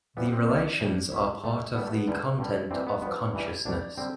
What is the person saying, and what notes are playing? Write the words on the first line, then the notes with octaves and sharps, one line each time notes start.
The relations are part of the content of consciousness.
F2 E3 G3 B3
C4
C2 C3 G3 D4
A2 E3 G3
C2 B2 G3 E4
A2 G3 A3
G2 E3 G3 B3
A3
B3
E2 D3 G3
G2 D3 G3
G2 E3 G3 C4
B3
G2 F3 B3
G2 E3 G3
C2 B2 G3 D4
D3 G3 C4